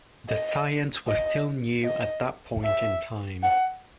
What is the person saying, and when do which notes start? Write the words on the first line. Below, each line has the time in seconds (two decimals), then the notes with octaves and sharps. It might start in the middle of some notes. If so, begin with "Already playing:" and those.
The science was still new at that point in time.
0.29 D#5
1.07 D#5
1.85 D#5
2.64 E5
3.43 F#5